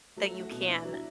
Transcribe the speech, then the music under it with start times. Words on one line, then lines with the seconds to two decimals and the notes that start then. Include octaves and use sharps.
that you can,
0.17 F#3 A3 A4
0.34 A3
0.40 F#4
0.51 B2
0.62 E4
0.68 D4
0.85 F#3